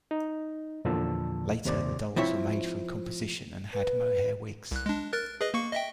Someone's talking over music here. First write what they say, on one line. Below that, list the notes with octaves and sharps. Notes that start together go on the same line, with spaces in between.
Later the dolls were made from composition and had mohair wigs.
D#4
E2 A#2 D3 F3 A5 E6
D#2 C3 C5 D5 D6
F3 C4 E4 C#5
B4
C2 F#6
G#3 D4
A#4 F#6 A6
G#4 B4 D#5
A#3 C#6 C#7
D#5 E5 G5